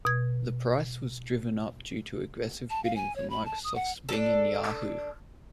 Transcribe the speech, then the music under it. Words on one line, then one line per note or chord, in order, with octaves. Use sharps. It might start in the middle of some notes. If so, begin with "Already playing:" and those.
The price was driven up due to aggressive bidding from Microsoft's Bing and Yahoo!
B2 G#6
A5
F5
G#5
C#5
B5
A5
D#6
F#5
D4 A4